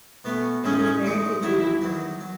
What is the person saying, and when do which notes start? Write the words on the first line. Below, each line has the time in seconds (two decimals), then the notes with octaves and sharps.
He was married to Judon.
0.24 B2 A3 B3 C#4
0.64 A1 A2 G#3 C#4 D#4
1.03 A1 A2 G#3 D#4
1.42 E2 D#3 F#3 E4
1.81 E2 D#3 F#3
2.20 F#3